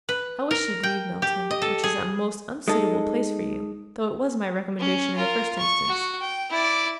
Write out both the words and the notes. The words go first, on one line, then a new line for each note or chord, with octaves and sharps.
I wish you'd leave Milton; which is a most unsuitable place for you, though it was my recommendation in the first instance.
B4
A#4
G5
G4
D#5
A4
G#4
G#3 D#4 A4
C#4
F4 A#4
C#6
F#4
G5
E4 D5